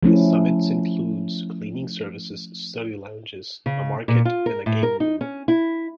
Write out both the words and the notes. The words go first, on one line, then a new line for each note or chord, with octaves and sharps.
The Summits includes cleaning services, study lounges, a market, and a game room.
F3 A3 C#4 E4
C#3
A#2
F4
A#4
A2
A#4
D#4
C#4
E4